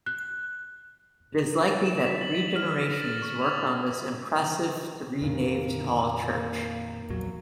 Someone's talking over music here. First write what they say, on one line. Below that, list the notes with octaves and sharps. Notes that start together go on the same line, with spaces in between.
It is likely that three generations worked on this impressive three-naved hall church.
F#6
A6
E7
B6
F#7
B6
F6
F6
A#6
A6
C#6
F7
D#6
F2 A#2 D#3 A#3
A#1 E2 F#3